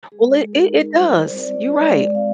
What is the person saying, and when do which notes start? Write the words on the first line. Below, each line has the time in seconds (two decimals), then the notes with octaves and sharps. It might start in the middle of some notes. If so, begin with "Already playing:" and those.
Well, it it does, you're right.
0.12 G#3 G#4
0.53 D#4 A#4
0.93 G3 C5
1.20 D5
1.34 C4 F4
1.47 D5
1.74 G#3 D5
2.15 C4 F4 F5